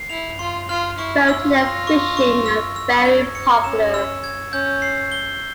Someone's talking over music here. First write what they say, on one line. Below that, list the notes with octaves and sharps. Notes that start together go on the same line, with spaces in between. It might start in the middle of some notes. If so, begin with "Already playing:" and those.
Boating and fishing are very popular.
Already playing: C7
E4 F7
F4 C6
F4 F6
E4 C#6
E6
F4
A#6
C#6
C#6
E6
E6
G#6
C#7
C#4 E7
E6
G#6
C#4 G6
C7
G7